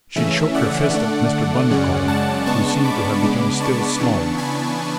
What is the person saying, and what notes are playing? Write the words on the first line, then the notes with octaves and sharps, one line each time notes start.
She shook her fist at Mr. Bundercombe, who seemed to have become still smaller.
C#3 E3 A3 C#4 E5
D5 F#5
D3 A3 D4
F#2 C#3 G#3 C#4
F#5 A5
C#3 G#3 B3 D4 A5 C#6
B5 D6
C#3 G#3 B3 D4
A5 C#6
C#3 E3 B3 D4
G#5 B5